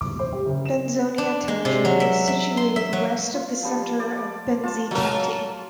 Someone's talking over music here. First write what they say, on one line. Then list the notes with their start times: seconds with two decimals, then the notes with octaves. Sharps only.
Benzonia Township is situated west of the center of Benzie County.
0.01 D6
0.19 C5
0.33 G4
0.46 F#1
0.66 E7
1.18 D4
1.48 G#3
1.65 C3
1.85 F#3
2.00 E5
2.28 E5
2.57 C6
2.76 E5
2.93 F#3
3.34 F4
3.63 F3 G3 D4
4.00 D5
4.63 F4 A5
4.91 F#3 A#4